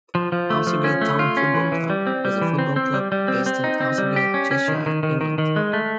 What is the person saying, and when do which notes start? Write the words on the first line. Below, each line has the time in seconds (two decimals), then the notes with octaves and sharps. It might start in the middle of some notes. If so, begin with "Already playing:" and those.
Alsager Town Football Club is a football club, based in Alsager, Cheshire, England.
0.15 F3
0.32 F3
0.50 A3
0.67 F3
0.84 C#4
1.01 A3
1.19 F4
1.37 C#4
1.54 E3
1.72 E3
1.90 G3
2.07 C4
2.25 G3
2.42 E3
2.59 C4
2.76 C4
2.94 G3
3.12 G3
3.28 C4
3.46 C4
3.64 D#4
3.81 C4
3.98 G3
4.16 G4
4.34 C#4
4.51 C#4
4.68 D#3
4.86 D#3
5.03 D#3
5.21 D#3
5.38 D#3
5.56 G#3
5.73 A3